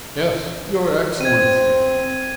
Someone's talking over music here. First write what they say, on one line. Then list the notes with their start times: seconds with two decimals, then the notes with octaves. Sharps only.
"Yes, your Excellency."
1.21 C4 G#6 D#7